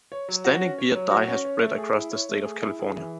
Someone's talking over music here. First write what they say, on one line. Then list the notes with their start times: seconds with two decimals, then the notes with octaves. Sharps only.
Standing beer die has spread across the state of California.
0.12 C#5
0.29 F#3
0.45 F#4
0.61 C#4
0.78 C#5
0.95 F#3
1.11 F#4
1.28 C#4
1.45 C#5
1.62 A3
1.78 G#4
1.95 E4
2.12 C#5
2.29 A3
2.45 G#4
2.62 E4
2.79 G#4
2.96 E3